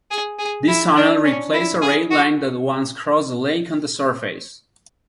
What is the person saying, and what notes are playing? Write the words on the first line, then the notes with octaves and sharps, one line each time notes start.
This tunnel replaced a rail line that once crossed the lake on the surface.
G#4
G#4
E4
D4
C#4
E4
G#4
F#4